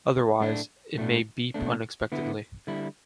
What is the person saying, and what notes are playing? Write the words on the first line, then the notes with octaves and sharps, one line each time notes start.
Otherwise, it may beep unexpectedly.
A2 A3 D4
A2 A3 D4
B2 A3 D4
D3 B3 E4
D3 G3 E4